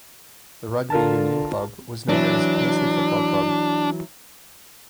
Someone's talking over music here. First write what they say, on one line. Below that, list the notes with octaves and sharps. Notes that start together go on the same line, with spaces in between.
The rugby union club was known as Paisley Football Club.
D3 F4 A#4 A5
E3 F#3 D4